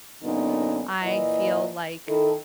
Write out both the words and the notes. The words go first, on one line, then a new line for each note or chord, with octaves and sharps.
I feel like
F#2 A#2 D3 B3 D#4
A#2 E3 E4 D#5
D#3 E4 A4